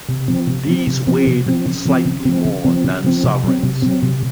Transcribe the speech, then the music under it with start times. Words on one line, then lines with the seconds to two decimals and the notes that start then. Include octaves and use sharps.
These weighed slightly more than sovereigns.
0.09 C3
0.28 F3 C4
0.47 C3
0.67 F3 C4
0.87 C3
1.07 F3 C4
1.27 C3
1.46 F3 C4
1.66 C#3
1.85 F3 C4
2.05 C#3
2.25 F3 C4
2.45 C#3
2.65 F3 C4
2.84 C#3
3.05 F3 C4
3.24 C3
3.44 F#3 C4
3.63 C3
3.82 F#3 C4
4.03 C3